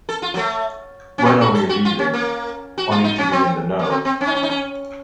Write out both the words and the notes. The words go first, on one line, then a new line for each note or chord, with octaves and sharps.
When are we leaving? I need to be in the know!
A4
F4
F#3
A3
C#4
C4
F#4
A4
F#4
F4
C#4
A#3
F#4
F4
D#4
C#4
C4
A#3
C4
C4
C#4
D#4
C#4
D#4
C#4